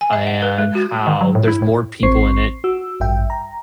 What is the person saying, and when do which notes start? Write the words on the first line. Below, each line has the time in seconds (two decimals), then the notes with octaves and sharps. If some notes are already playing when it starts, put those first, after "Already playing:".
uh, and how there's more people in it,
0.01 G#5
0.13 E5
0.27 F#5
0.42 B4
0.58 G#3
0.75 F#4
1.07 D#3
1.21 F#3
1.35 A2
1.48 E4
1.62 A2
2.03 A1 C4 C5 C#6 C7
2.64 F#4 E6
3.00 A1 G2 E5 G5
3.30 A#5